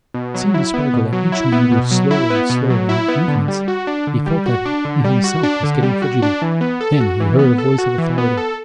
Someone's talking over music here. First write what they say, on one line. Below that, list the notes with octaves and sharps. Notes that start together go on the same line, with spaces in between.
It seemed to Spargo that each man grew slower and slower in his movements; he felt that he himself was getting fidgety. Then he heard a voice of authority.
B2
F#3
E4
B3
B2
F#3
E4
B3
B2
F#3
E4
B3
B2
F#3
E4
B3
D3
G3
F#4
D4
D3
G3
F#4
D4
D3
G3
F#4
D4
D3
G3
F#4
D4
E3
B3
A4
F#4
E3
B3
A4
F#4
E3
B3
A4